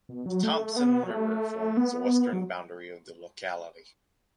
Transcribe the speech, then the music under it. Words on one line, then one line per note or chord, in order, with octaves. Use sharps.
The Thomson River forms the western boundary of the locality.
B2
F#3
A3
B3
F#3
A3
B3
F#3